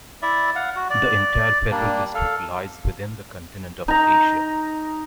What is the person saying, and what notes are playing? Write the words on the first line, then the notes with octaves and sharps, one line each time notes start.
The entire federal district lies within the continent of Asia.
E4 D5 E5
F5 F#5
F#4
D5
G3 A#3 D4
A4 F5
D#4 A#5